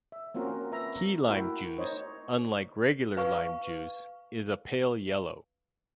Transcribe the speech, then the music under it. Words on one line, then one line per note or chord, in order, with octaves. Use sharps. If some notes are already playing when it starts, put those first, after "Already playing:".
Key lime juice, unlike regular lime juice, is a pale yellow.
E5
A#3 C4 C#4 F4 F#4 A#4
B4 E5 A#5
A3 E4 F#4 A#4 G5
D#4 C5 C#5 D#5
B4 F5 C#6